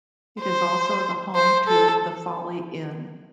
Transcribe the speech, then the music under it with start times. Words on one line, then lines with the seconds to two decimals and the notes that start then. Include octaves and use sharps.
It is also the home to The Folly Inn.
0.42 C5
1.36 C5
1.68 A4